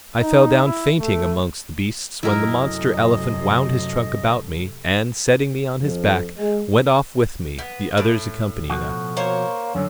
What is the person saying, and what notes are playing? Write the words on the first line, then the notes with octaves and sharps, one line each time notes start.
I fell down fainting amongst the beasts when the monster elephant wound his trunk about me and, setting me on his back, went off with me, the others accompanying us.
D#4
E4
A3
F#2 C3 A3 E4 A#4 D#5
F2
G#3
B3
A2
B2 F3 F#4
A#3 C5 C#5
F#2 D3 C#4